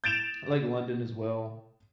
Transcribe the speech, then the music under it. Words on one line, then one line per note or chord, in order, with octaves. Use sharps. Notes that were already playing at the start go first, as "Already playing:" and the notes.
I like London as well.
G6 A6 D7 E7 F7